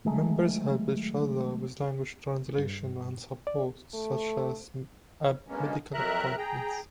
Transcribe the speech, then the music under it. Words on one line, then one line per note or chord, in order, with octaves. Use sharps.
Members helped each other with language translation and support such as at medical appointments.
D#3 F#3 G#3 A3
G2
D5
A3
G2 B2 G#3 A#3 B3 C#4
F2 F#3 A#4 E5 A#5 F#6
G#4 G5 A#5